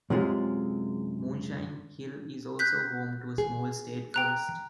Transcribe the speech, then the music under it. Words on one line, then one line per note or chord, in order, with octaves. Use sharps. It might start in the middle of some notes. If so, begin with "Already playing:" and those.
Moonshine Hill is also home to a small state forest.
F#2 C3 G#3 F4
F#6 G6 B6
G#4
G5 A#5 F#6